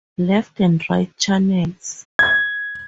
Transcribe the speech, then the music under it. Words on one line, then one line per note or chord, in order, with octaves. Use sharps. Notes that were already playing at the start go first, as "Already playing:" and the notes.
Left and Right channels.
G#6